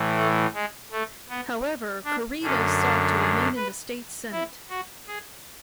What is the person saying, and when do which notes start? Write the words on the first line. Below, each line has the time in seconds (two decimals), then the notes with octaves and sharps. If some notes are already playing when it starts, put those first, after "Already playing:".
However, Kurita sought to remain in the State Senate.
Already playing: A2 E3
0.16 A3
0.54 G#3
0.91 A3
1.29 B3
2.04 D4
2.42 F#2 D3 C#4
2.80 D4
3.18 G#4
3.56 B4
4.32 E4
4.69 F#4
5.07 G#4